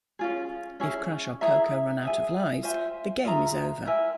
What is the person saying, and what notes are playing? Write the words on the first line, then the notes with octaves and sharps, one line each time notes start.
If Crash or Coco run out of lives, the game is over.
C#4 F4 G#4
C#4 E4 G#4
E4 G#4 E5 A#5
G#4 E5 G#5
F4 C5 E5 G#5
F4 G#4 E5 A#5
E4 A#4 E5 G#5